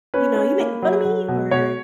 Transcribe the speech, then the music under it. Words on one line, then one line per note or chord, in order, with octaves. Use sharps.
you know, "You making fun of me?" or
C#4 B4
C#4
A#3
F#3
F#3
B2
B2 C#5